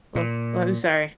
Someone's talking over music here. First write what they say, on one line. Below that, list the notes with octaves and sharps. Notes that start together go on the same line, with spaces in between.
oh, I'm sorry,
A#2